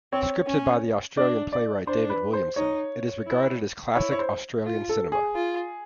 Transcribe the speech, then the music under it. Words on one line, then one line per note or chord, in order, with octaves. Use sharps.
Scripted by the Australian playwright David Williamson, it is regarded as classic Australian cinema.
C4 C#5
C#4
D4 D5
D5
D4 C5
B4
C5
D#4 C#5
E4
E4 C#5
C#5
C5
F4
A4
G#4
F4